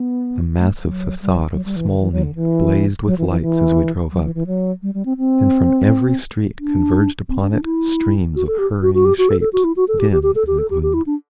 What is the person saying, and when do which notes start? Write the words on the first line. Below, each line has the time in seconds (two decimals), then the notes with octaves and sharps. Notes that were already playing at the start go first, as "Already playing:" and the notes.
The massive facade of Smolny blazed with lights as we drove up, and from every street converged upon it streams of hurrying shapes dim in the gloom.
Already playing: B3
0.59 A3
0.81 F#3
1.22 G3
1.29 F#3
1.53 F#3
1.65 G3
1.76 E3
1.87 D3
2.00 E3
2.12 F#3
2.23 D3
2.35 E3
3.06 F#3
3.18 E3
3.29 E3
3.41 E3
4.12 F#3
4.24 E3
4.35 E3
4.47 F#3
4.82 G3
4.94 G3
5.05 C4
5.17 C4
6.59 D4
7.29 C4
7.41 D4
7.52 D4
7.64 E4
8.35 F#4
8.47 A4
8.58 G4
8.82 F#4
8.94 F#4
9.05 G4
9.18 F#4
9.29 A4
9.41 A4
9.53 F#4
9.64 E4
9.76 F#4
9.88 A4
9.99 G4
10.12 G4
10.23 G4
10.35 A4
10.47 G4
10.58 A4
10.70 G4
10.82 G4
10.94 E4
11.06 D4